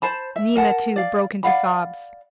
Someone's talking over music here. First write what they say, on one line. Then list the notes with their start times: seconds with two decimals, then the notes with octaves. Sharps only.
Nina, too, broke into sobs.
0.02 C5 A5 B5
0.36 E5
0.55 A#4 F#5 A5
0.96 D5 F5
1.43 D5 F5 F#5 B5